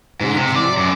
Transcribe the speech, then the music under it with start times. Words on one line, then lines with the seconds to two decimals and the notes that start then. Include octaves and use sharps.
Feed you?
0.21 G#2
0.36 C3
0.55 D5
0.77 F#2